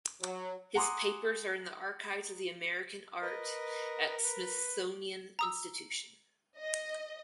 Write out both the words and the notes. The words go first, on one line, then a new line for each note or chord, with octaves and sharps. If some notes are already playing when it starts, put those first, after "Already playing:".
His papers are in the Archives of American Art at Smithsonian Institution.
F#3
F#5 G#5 A#5 C6 D6 D#6
A#4 B4 D#5
B4
A#5 D#6 E6
D#5